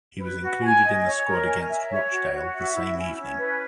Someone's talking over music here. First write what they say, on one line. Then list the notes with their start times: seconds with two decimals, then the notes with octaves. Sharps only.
He was included in the squad against Rochdale the same evening.
0.20 B4
0.41 F#4
0.62 G#5
0.84 D#5
1.05 C#5
1.26 A#4
1.47 G#5
1.69 E5
1.89 C#5
2.11 F#4
2.33 F#4
2.54 E5
2.75 E4
2.96 C#4
3.17 C#4
3.38 B4